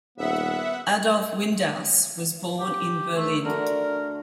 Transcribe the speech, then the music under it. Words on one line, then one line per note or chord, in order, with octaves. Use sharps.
Adolf Windaus was born in Berlin.
D#1 B3 E5 F#5
G4
A3 C5
D3 A3 F#4 A#4